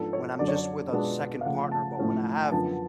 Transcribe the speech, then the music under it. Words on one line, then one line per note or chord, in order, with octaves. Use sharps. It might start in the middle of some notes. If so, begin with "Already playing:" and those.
when I'm just with a second partner, but when I have
Already playing: G#2 F3 B3 D4 A4
C#5
F#2 D3 F#3 D5
C#5
D5
B2 G#3 B3 D4 F4
F5
C#3 F3 A3 F4 F#5
A5
A2 F3 A3 C#4 F4
G#5
F#2 D3 F3 B3 A5